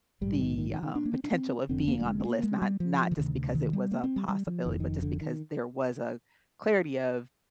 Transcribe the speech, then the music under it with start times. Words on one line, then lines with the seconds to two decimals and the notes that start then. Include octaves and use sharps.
the, um, potential of being on the list, not not just because it was a possibility, but just because there was a clarity of
0.21 A#1 G#2 G3
0.31 D3
0.39 D#3
0.58 D#3
0.70 D#3
0.83 D#3
0.96 D4
1.05 A#3
1.14 C4
1.24 D4
1.33 C4
1.69 F1 F2 D3 C4
1.88 A#3
2.01 G3
2.06 G#3
2.20 C4
2.25 A#3
2.43 G#3
2.62 G3
2.80 F3
3.11 D3
3.17 D2 C3 D#3
3.36 D3
3.55 D#3
3.73 G3
3.91 A#3
4.04 C4
4.16 G3
4.28 G3
4.47 F3
4.65 F1 F2 D3 D#3
4.73 F3
4.80 D#3
5.02 D3
5.21 D#3